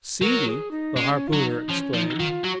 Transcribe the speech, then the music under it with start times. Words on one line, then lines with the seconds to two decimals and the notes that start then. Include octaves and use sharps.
"See!" the harpooner exclaimed.
0.21 F#3 A#4
0.47 G#4
0.71 D#4
0.96 G#3 C#4
1.28 F4
1.33 F#3 D#4
1.70 F3 C#4
1.94 F3 D#4
2.20 D#3 F4
2.44 F#3 F#4